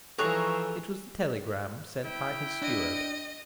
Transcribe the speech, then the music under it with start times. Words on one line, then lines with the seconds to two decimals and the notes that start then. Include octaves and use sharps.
It was the telegram sent by his steward.
0.18 E3 F3 G#4 A4 C#5 A#5 F#6
2.05 E4 G5
2.62 D4 D#5